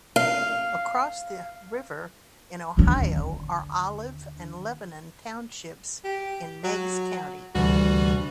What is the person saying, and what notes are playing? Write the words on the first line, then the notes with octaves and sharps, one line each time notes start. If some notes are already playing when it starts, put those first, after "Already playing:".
Across the river in Ohio are Olive and Lebanon Townships in Meigs County.
F5
D#2 D3
G4
F#3
D2 C3 E3 G3 F#4